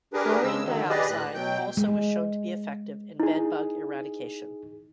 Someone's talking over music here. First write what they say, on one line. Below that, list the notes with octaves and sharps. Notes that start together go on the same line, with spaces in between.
Chlorine dioxide also was shown to be effective in bedbug eradication.
D4 G4 G#4 A#4 B4
C#3 G#3 E6
D3 D#3 F#3
G4 G#4 B4 D5 D#5
D2 A2 F#6
B2 F#3 G5 G6
G#3
D#4 E4 G#4